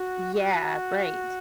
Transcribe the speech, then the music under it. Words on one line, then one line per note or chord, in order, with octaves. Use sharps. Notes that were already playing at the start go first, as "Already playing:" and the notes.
Yeah, right.
Already playing: F#4
F#4